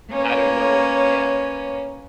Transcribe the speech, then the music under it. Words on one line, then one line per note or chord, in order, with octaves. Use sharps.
I don't know yeah.
A#3 C#4 B4 C#5